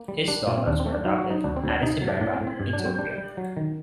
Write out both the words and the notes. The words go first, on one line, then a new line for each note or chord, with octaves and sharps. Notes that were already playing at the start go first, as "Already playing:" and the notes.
His daughters were adopted from Addis Ababa, Ethiopia.
Already playing: A#3
G3
G3 D4
A#2
C4
D#2 D4
C4
A3
D4
F#3 D#4
F#4
F#3
D#4
D2 D4
C4
D2
D4
C3 D#4
F#3
D4
A2 D4
C4
A2
C4
G2
D4
F#3
C4
G3 D4
G3
F#3
D#3